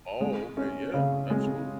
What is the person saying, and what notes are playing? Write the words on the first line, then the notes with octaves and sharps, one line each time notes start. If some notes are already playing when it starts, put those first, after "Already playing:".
Oh, okay yeah, absolutely,
G#3
C#4
C#3
G#3